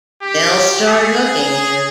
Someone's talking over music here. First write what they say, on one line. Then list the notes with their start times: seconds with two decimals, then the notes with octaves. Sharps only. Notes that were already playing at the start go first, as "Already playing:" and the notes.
They'll start hooking you.
0.23 G4
0.88 G#4